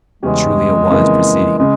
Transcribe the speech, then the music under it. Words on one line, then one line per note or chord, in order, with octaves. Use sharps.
Truly a wise proceeding!
E2 C#3 G3 G#3 C#4 G4
F2 C#3 E3 A#3
C#3 G#3